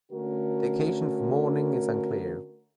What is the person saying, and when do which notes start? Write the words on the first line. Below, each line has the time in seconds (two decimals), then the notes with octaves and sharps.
The occasion for mourning is unclear.
0.11 D3 A3 C#4 F#4 A#4